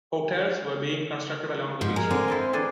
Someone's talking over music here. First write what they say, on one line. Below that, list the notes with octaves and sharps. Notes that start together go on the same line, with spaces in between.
Hotels were being constructed along the beachfront.
G#2 F3
G#3 A#4 G#5 A#5
D3 C4
E4 A4 D#5
C5
E3 D4 G#4 A4